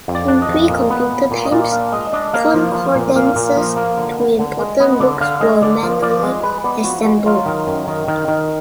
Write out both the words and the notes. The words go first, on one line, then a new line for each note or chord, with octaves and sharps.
In pre-computer times, concordances to important books were manually assembled.
F2
D5
D4
D#5
F2
A#2
B3
A#2
A#2
D#5
A#2 D5
D4 F5
G#3 D#5
D4 D#5
A#3 F5
F3
F3
A#2
A#2 F5
A#2
F3
A#3
D3
B3
D3
G#3
B3 D#5
D3 D5
D3 F5
G#3 D#5
D3 D5
F3
F3 D5
G#3
G#3 B4
B3 D5
F3 F#4
G#3 F#4
F#3 F4
D#3
F#2
D#3
D#3
D#3